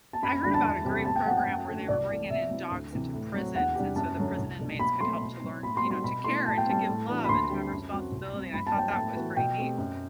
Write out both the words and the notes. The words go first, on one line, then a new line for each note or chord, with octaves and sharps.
I heard about a great program where they were bringing in dogs into prisons, and so the prison inmates could help to learn, you know, to care and to give love and to have responsibility, and I thought that was pretty neat.
A5
F#2 B5
B5
D3 G3 D4 B5
A5
E2
C3 G3 C4 G4
A2 A5
G5
F#3 C4 F#4 F#5
G5
F#2
D3 A3
C2 D5
C3 E3 A3
C3 E5
F#3 C4 E4
D2
C3 E3
A2
F#3 C4 F#4
E2 F#5
C3 G3 D4 G4
F#2 A5
D3 F#3 A3
C2
B2 A3 D4
B2 B5
F#3 A3 C4 C6
B2
F#3 C4
A2 B5
C6
G3 C4 F#4
C6
B2 B5
A3 E4 C6
A2 A5
G5
G3 C4 A5
A2
E3 B3 D4 F#4
B5
D2 C6
D3 G3 C4 G4
F#2
F#3 C4 F#4
C2
C3 G3 C4
G2 B5
A5
F#3 B3 G5
A2 A5
E3 B3 F#4
B2 G5
A3 C4 G4
F#2